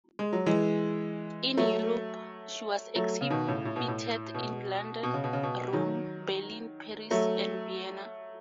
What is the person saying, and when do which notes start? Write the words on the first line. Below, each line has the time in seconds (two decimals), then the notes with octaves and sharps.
In Europe, she has exhibited in London, Rome, Berlin, Paris and Vienna.
0.19 G#3
0.33 F#3
0.46 E3 G#3
1.57 F#3 A3
2.95 F#3 A3
3.21 C#3
3.30 B2 D#3
3.47 A2 C#3
3.65 A2
3.76 B2
3.88 A2
4.34 B2
5.03 B2
5.14 C#3
5.24 B2
5.33 C#3
5.43 B2
5.73 D#3 F#3
7.11 F#3 A3